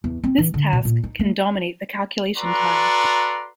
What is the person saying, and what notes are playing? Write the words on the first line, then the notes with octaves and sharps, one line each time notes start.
This task can dominate the calculation time.
E2
C4
E3
D3
B2
A#2
D#4
A3
F#4 A4 B4 D5 A#5 C6